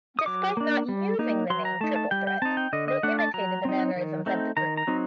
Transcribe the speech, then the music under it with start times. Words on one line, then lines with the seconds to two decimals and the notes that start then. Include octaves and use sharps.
Despite not using the name Triple Threat, they imitated the mannerisms of the group.
0.19 D#6
0.26 F#3 D6
0.57 A#3 D4
0.89 G3
1.19 A#3 D#4
1.50 F#3 C6
1.65 A#5
1.81 A3 D#4 A5
1.96 A5
2.11 G3 G5
2.27 G5
2.42 C4 D#4 A5
2.57 G5
2.73 D3 D#5
2.88 D#5
3.03 A3 D4 F#5
3.19 A5
3.34 F#3 A#5
3.65 C4 D#4
3.96 D#3
4.26 A3 C4 D#4
4.57 D#3 A#5
4.77 A#5
4.87 F#3 C4 D#4